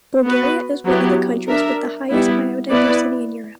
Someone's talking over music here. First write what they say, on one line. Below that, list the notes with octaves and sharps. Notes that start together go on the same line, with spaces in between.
Bulgaria is one of the countries with highest biodiversity in Europe.
B3 F#4 B4
F#3 B3 E4 G4
D4 A#4 E5
G3 B3 E4
B3 E4 B4 D5